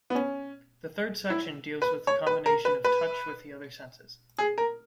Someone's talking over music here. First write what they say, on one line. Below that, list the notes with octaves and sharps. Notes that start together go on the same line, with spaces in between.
The third section deals with the combination of touch with the other senses.
B3
C#4
E4
B4
C#5
B4
A#4
B4
B4
G#4
A#4